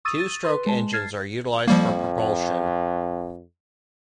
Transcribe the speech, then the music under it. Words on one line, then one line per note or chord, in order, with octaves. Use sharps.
Two-stroke engines are utilized for propulsion.
C#6 D#6 E6 A6 D#7
A6 D#7
B4 C6
G#3 A5
F6 G#6 A6 C7
F2 F3 G3 A#3